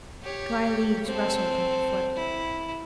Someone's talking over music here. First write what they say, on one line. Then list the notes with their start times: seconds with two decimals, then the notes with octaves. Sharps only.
Dry leaves rustled under foot.
0.23 G4 C#5
1.06 C4 A4
2.16 E4